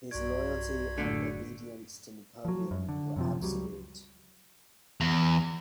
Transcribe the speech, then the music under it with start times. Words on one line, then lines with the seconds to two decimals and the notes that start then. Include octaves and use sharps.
His loyalty and obedience to Napoleon were absolute.
0.11 B1 G2 F#4 D5 C#6 G#6
0.98 F#1 A2 D3 A3
2.45 F3 F#3
2.71 F#2
2.89 D3
3.16 F#2 C3 F3
3.41 C#2 F#3 G3
5.00 E2